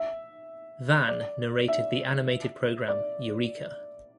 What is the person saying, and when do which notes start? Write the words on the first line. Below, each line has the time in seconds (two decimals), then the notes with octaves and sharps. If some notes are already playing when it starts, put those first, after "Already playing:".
Van narrated the animated program Eureka!
Already playing: E5
1.08 D5
1.68 E5
2.88 D5